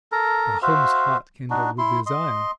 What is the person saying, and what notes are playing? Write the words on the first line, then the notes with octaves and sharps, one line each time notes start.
Pahom's heart kindled with desire.
A4 A#4 A#5
F#4 C5 E5 F5
D4 D#4 F#4
E4 C6
D#5 C6